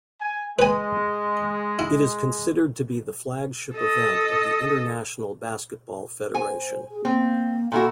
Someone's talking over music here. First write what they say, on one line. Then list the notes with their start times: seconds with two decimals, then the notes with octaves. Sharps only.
It is considered to be the flagship event of the International Basketball Federation.
0.20 G#5
0.59 G#3 B4 G#5
1.79 E4
3.75 A4 D#5
6.34 C5 G#5
6.91 G#4
7.05 A#3 C4
7.72 A#2 E4 F#4 A4